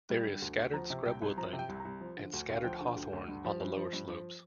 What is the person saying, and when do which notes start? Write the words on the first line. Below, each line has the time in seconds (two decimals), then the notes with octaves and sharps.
There is scattered scrub woodland and scattered hawthorn on the lower slopes.
0.10 G3
0.26 D3
0.42 D2
0.57 D2
0.73 F3 A#5
0.90 C3
1.06 C2 G5
1.22 C2
1.37 F3 A#5
1.53 C3
1.59 G5
1.69 C2
1.80 A#5
1.85 C2
2.01 F3
2.17 D3
2.33 D2
2.49 D2
2.54 F5
2.64 F3 G5
2.81 D3
2.96 D2
3.13 D2
3.28 G2
3.44 F3
3.61 G2
3.77 F3
3.93 G2
4.08 F3